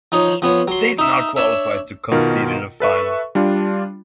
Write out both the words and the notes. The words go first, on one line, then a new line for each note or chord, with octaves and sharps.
He did not qualify to compete in the final.
F3 D#4 C#5
F3 B3 C#5
F#3 C6
D#4 E5
D4 C#5 E5
B2 D#3 F4 A#4
A4 B4 E5 C#6
G3 D4 F4